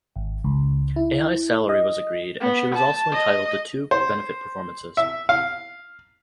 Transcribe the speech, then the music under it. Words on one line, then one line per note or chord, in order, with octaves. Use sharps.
A high salary was agreed and she was also entitled to two benefit performances.
G#1
C#2
E4
D#5
B3
A5
D#5
C5
E5
F5